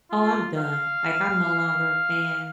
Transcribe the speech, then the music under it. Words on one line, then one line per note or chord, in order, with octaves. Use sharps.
"Oh, I'm done. Like, I'm no longer a fan."
F4
F5
F5